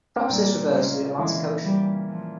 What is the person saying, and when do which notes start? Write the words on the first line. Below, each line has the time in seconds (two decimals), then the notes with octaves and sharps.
Perhaps this refers to the Atlantic Ocean.
0.17 C4
0.29 A#2 G3 A#3
0.74 C#3 G#3 C#4
1.18 E3 G#3 E4
1.63 G3
2.09 F3